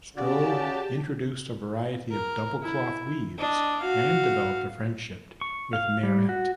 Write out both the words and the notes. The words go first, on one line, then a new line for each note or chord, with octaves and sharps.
Straub introduced a variety of double cloth weaves and developed a friendship with Mairet.
C#3 F#4 G4 D5 A5
A#4
E4
D4 D#5
F#4 F5
C#6
F5
G3
F#4